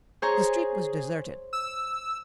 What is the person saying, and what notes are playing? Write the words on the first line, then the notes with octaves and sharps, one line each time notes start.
The street was deserted.
G#4 C5 C#5 A#5
E6